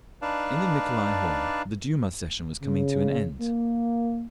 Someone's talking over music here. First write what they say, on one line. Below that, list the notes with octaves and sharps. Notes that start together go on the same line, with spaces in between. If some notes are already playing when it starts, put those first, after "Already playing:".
In the Nicolai Hall the Duma session was coming to an end.
D4 D#4 B4 D5 F5 A5
C#3
A#3